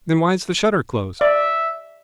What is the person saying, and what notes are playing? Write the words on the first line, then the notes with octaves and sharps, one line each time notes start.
"Then why's the shutter closed?"
D5 E5